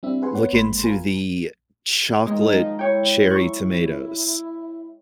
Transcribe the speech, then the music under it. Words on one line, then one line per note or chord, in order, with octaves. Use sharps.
look into the chocolate cherry tomatoes.
G3 C4 D4 E4 E5
E4 G#4 B4 F#5 G#5 C6
B3 B4 C#5 F#5
G#1 G#3 A#3 B5 C6
F4 A#4 G#5
D#3 F3 G#3 D#4
E4 C#5 G5
C#6